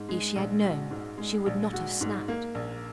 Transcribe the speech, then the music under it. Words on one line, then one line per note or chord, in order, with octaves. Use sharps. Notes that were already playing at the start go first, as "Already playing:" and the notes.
If she had known she would not have snapped.
Already playing: G#2
G#3
A#1
F#4
G#2
G#3
A#1
F#4
G#2
A#3
A#1